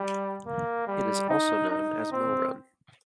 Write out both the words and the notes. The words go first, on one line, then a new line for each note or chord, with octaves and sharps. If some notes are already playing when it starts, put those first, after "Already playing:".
It is also known as Mill Run.
Already playing: G3
A#3
G3
D#4
D#4
C4